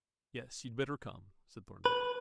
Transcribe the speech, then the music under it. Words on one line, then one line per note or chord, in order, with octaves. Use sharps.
"Yes, you'd better come," said Thorndyke.
B4